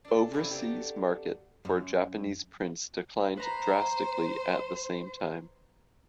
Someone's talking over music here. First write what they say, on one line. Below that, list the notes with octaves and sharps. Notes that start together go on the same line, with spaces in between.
Overseas market for Japanese prints declined drastically at the same time.
D4 A4
F#2 C3 A#3 E4 G4 G#4
B3 D4 G4 A4
F#2
B4 C5 A#5